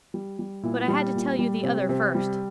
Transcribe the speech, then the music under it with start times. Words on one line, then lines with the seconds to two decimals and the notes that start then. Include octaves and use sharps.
But I had to tell you the other first.
0.14 G3
0.39 G3
0.63 A#2 E4
0.88 G3
1.14 A#2
1.39 G3
1.64 C3
1.89 C3
2.15 G3